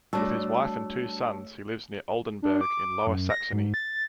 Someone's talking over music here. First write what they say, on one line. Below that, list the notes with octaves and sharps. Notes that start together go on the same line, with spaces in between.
With his wife and two sons he lives near Oldenburg in Lower Saxony.
G3 A3 D4 F#4 C#5 A5 E6
D4
D6
F#2
A#6
G#2
A6